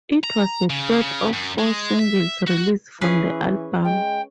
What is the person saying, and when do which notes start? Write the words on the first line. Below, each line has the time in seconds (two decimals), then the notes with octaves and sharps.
It was the third of four singles released from the album.
0.24 A#5
0.70 C#3
1.00 C#3
1.33 F#2
1.58 G#3
1.99 E5
2.47 F#4
3.01 E3 C#4 G#4 B4
3.84 G#3 G5